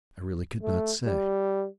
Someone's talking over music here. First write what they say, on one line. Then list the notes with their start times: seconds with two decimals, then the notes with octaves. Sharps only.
'I really could not say.
0.62 A3
1.06 G3